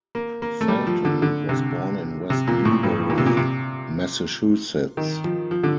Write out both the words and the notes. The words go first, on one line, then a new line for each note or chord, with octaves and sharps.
Felton was born in West Newbury, Massachusetts.
A#3
A#3
A3
G3
F3
D3
D3
C3
C3
A#2
A2
G2
A#2
C3
A#2
C3
D#3
F3
F3
D3